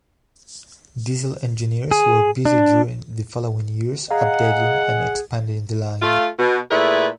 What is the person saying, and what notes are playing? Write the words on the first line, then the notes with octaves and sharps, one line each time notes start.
Diesel engineers were busy during the following years updating and expanding the line.
G#4
D4
G#4 D#5 F5 F#5 A#5
A3 F4
B2
A#2 A3 E4 G#4 B4